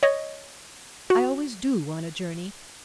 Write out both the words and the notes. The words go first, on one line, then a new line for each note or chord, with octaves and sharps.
I always do, on a journey.
C#5 D#5
F#4